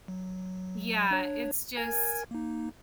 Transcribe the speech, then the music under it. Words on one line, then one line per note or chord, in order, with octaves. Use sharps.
Yeah, it's just
F#3
D4 C#5
A#4 G#5 G#6
A#3 D#4